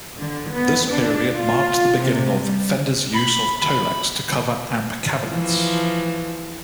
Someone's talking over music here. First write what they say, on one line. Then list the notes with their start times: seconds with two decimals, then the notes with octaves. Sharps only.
This period marked the beginning of Fender's use of Tolex to cover amp cabinets.
0.18 D3
0.50 B3
0.90 D4
1.37 F4
1.99 C3
2.40 G3
3.13 B5
3.57 B5
5.25 E3 F3